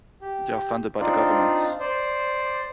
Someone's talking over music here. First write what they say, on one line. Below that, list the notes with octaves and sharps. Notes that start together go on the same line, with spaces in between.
They are funded by the government.
G4
C4 D4 D#4 F4 D5
C5 D5